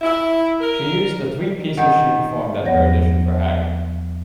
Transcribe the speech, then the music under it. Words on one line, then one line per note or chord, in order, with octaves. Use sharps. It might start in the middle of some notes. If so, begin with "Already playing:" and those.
She used the three pieces she performed at her audition for Hagen.
E4
A#4
D#3 F#5 G6
E2 F3 B3 C#5 F#5 A#6